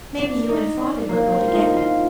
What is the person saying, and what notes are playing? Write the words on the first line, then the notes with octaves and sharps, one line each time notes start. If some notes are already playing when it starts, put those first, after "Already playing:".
May be you and father will go together.
D4
D#4
D4
A#3
C4
F4
D#4
F4